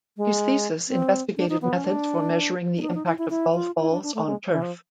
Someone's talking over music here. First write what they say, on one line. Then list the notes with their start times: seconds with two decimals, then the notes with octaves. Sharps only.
His thesis investigated methods for measuring the impact of golf balls on turf.
0.17 G#3
0.89 C4
1.37 D4
1.49 D#4
1.62 B3
1.74 C#4
1.85 D4
2.77 D4
2.82 D#4
2.89 D4
2.95 D#4
3.06 E4
3.18 E4
3.30 E4
3.54 F4
3.79 E4
3.91 D4
4.03 D4
4.14 A3
4.27 G#3
4.51 E3
4.62 F3